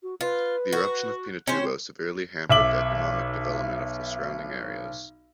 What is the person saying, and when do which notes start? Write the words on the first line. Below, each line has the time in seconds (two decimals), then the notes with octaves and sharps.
The eruption of Pinatubo severely hampered the economic development of the surrounding areas.
0.03 F#4
0.21 F4 B4
0.73 F#4
1.47 C4 C#4 C5
2.50 B1 E5 D6 F#7